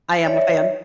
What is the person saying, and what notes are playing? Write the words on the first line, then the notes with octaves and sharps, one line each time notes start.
I am a fan.
C#5 D5 E5